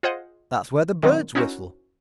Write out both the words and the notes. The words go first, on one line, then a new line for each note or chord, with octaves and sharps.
That's where birds whistle.
F4 G#4 C5 D#5 F#5
A#2 D#3 F#3 C4
C#4 D#4 E4 F#4 A#4 C5